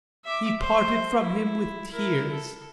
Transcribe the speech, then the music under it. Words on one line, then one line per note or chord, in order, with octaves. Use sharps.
He parted from him with tears.
E5 D6
C5
E4
E4 A#4
A4